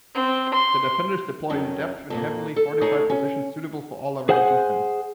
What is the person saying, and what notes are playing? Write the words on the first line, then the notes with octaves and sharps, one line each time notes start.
The defenders deploy in depth in heavily fortified positions suitable for all-around defence.
C4
C6
F2 D#3 F#3 C#4
F2 A#2 A#3
A4
A3 D#4 E4 G#4 A4 C#5
C#4
G#4 C5 F#5 G#5 G6